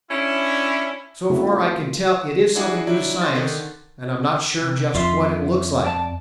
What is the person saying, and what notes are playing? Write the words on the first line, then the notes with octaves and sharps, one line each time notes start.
So far I can tell, it is something new to science and I am not sure just what it looks like.
C#4 D4 E4
C#3 A3 C4 E4 F#4 G#4
F4
D4 E4 F#4 G#4
F#3 D4 E4
C6 C#6 F#6 A6
D3 D#3
C3
F2 F4 E5 C6
D5 A5